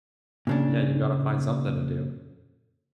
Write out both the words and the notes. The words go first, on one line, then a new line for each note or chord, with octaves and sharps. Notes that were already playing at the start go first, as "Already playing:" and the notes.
Yeah, you gotta find something to do.
A#2 C#3 D4